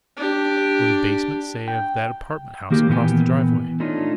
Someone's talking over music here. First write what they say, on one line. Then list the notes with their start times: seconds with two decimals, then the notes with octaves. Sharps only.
Or the basement, say, of that apartment house across the driveway?
0.17 D4 G4
1.68 G5
2.70 D#3 A#3 G4
2.89 A#2 E3 A3 B3 G5 G#5
3.80 A3 D4 D#4 F4 C#5